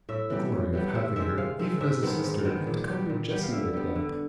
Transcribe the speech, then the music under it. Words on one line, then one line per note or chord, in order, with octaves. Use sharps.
The glory of having her, even as a sister! and to call her Jessie like that!
A2 E5
E3 G3 B3
A2
E3 G3 B3
C3 E5
D#3 G#3 E5
C3 F5
D#3 G#3 E5
G#2 E5
D#3 G#3 B3
G#2
D#3 G#3 B3
A#2
G3 B3
A#2
G3 B3
F5
D3 E5
G3 B3
D3